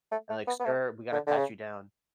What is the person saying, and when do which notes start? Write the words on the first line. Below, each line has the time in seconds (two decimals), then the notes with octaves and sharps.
and, like, "Sir, we gotta pat you down."
0.11 A3
0.30 A3
0.47 B3
0.60 B3
0.65 A3
1.12 D3
1.27 D3
1.37 C#3